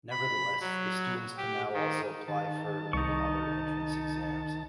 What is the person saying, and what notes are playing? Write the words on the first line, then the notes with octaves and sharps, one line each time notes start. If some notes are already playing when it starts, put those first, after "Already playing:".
Nevertheless, the students can now also apply for many other entrance exams.
B5
F#3
G4
D#3
D#3 A5
C2 D#4 C#6